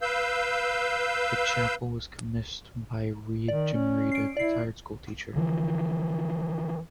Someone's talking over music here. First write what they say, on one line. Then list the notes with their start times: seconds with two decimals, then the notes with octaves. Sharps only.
The chapel was commissioned by Jim Reed, a retired schoolteacher.
0.01 B4 F5 E6 G6
3.48 D#3 D5
3.74 C#4
4.12 C7 D7
4.37 E4 D5 C7
5.36 D3 E3 F3